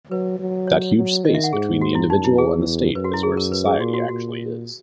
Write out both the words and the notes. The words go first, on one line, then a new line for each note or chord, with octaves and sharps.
That huge space between the individual and the state is where society actually is.
F#3 B4
F#3
C#5
F#3
D#3 D#5
E5
F#5
G#2 G#4
F#4
E4
F#2 D#4
E4
E2 G#4
F#2 B4
F#4
E4
G#4
A#4
B4
G#4
A#2 F#4
F#4
A#2 F#4